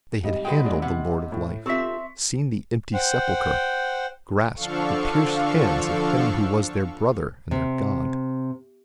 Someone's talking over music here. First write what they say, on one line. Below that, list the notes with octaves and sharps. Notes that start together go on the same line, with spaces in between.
They had handled the Lord of Life, seen the empty sepulchre, grasped the pierced hands of Him Who was their brother and their God.
G#1 G3 D#5
G#3 F#4 B4 G5
A3 G#4 D5
C3 F#5
A2
C4 F4 G4 A4 E5 C#6 B6
C5 F#5 G5
D3 F3 D4 A4 F5 C#6
C3